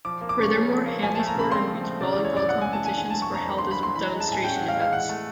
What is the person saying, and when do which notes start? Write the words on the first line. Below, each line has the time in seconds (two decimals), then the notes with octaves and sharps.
Furthermore, handisport and beach volleyball competitions were held as demonstration events.
0.05 F3 D6
0.21 A#3
0.29 D6
0.38 C#3 C#6
0.54 C#4
0.70 F3
0.86 A#3
1.03 F3 G#5
1.15 A3 A5
1.27 A#5
1.35 C#3 B5
1.52 C4 C6
1.68 F3
1.84 A3
2.00 C#3 D5
2.13 E3 D5
2.25 C#5
2.33 F#2 D5
2.49 F#2 F#5
2.61 C#3 G#5
2.73 A5
2.81 E3 G#5
2.97 D3 G#5
3.10 F#3 A5
3.22 C#6
3.30 F2 A#5
3.46 A#3 B5
3.58 D3 C6
3.71 B5
3.79 F#3 C6
3.95 E3 B5
4.07 G#3 A#5
4.20 A5
4.28 A2 G#5
4.44 C#4 G5
4.56 E3 F#5
4.68 F5
4.76 G#3
4.81 F5
4.92 E3 F#5
5.09 A3